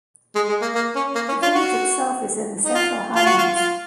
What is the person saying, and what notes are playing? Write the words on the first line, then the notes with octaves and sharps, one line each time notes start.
The village itself is in the central highlands.
G#3
G#3
A#3
A#3
C#4
A#3
C#4
F4
F#4
D#4
F4
F4
F#4
F4
F4